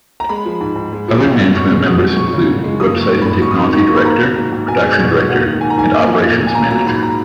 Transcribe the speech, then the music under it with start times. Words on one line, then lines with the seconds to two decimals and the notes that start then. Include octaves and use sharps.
Other management members include Website and Technology Director, Production Director, and Operations Manager.
0.20 A#5
0.29 G#3 B5
0.45 F3
0.61 G#2
0.76 G#2
0.92 G#3
1.08 F3
1.24 F#2
1.39 F#2
1.55 B2 C#6
1.70 G#3
1.86 B2 D#6
2.02 G#3
2.17 F3 C#6
2.33 C#3
2.48 F#2
2.64 G#3
2.80 A#3 D#6
2.95 F3
3.01 C#6
3.12 G#2
3.22 G#2 B5
3.42 F#3 C#6
3.51 D#6
3.58 D#3 C#6
3.73 G#2 C#6
3.87 A#3 C#6
3.96 B5
4.04 A#3 A#5
4.20 F#3
4.36 G#2
4.53 G#2
4.67 B2 G#5
4.84 G#3
4.99 B2
5.15 G#3
5.30 A#3 F#5
5.46 D#3
5.61 G#2 G#5
5.70 A#5
5.77 G#2 G#5
5.93 A#3
6.08 F3
6.25 A#2
6.40 A#2
6.47 G#5
6.55 A#3 A#5
6.71 F#3 A#5
6.86 G#2 B5
7.03 A#5